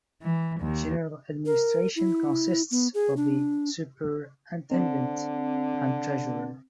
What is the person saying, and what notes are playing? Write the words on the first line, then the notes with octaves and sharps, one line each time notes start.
General administration consists of the superintendent and treasurer.
E3
D#2
A#4
E4
B3
G#4
D4
D3 C4